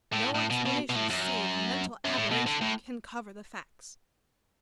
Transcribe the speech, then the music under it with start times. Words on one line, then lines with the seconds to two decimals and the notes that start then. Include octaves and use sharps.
No explanation save mental aberration can cover the facts.
0.13 A2
0.35 A2
0.50 B2
0.66 B2
0.90 B2
0.95 A2
1.10 F#2
2.05 F#2
2.16 A2
2.31 B2
2.46 D3
2.61 A2